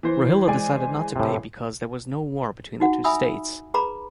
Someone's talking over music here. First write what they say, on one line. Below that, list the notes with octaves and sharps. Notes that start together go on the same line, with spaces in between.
Rohilla decided not to pay because there was no war between the two states.
E3 C5
G#3 D5 G#5
A2 C3
D#4 F#4 F#5
E5 G#5 B5 D#6 E6
G#4 B4 A#5 B5 D6